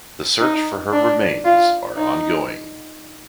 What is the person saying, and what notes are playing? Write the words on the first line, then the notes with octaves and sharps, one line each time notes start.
The search for her remains are ongoing.
D#4
D4
F4
D#4